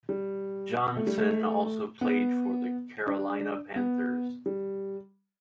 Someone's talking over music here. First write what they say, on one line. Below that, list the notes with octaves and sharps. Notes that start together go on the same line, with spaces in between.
Johnson also played for the Carolina Panthers.
G3
A3
G3
A3
B3
D4
B3
G3